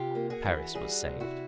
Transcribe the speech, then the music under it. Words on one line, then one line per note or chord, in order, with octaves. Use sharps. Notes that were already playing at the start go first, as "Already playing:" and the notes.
Paris was saved.
Already playing: C3 F4 G4
A#3
F#4 G#4
E3
G3 F#4 G#4
C3
E4 F#4